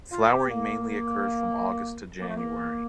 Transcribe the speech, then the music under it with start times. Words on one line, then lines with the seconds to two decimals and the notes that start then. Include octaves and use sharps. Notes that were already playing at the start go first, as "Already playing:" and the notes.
Flowering mainly occurs from August to January.
0.11 F4
0.29 G4
0.48 A#3
2.21 A#3
2.29 A3
2.35 A#3